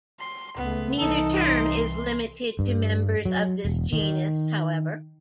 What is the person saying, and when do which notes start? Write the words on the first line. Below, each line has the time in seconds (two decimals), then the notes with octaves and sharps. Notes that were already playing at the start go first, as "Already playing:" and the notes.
Neither term is limited to members of this genus, however.
0.20 C6
0.57 C#2 A3 B3
0.99 C2 E3 D#4 A4
1.38 C6
2.59 G2
3.25 F#3
3.65 E1
3.93 D#3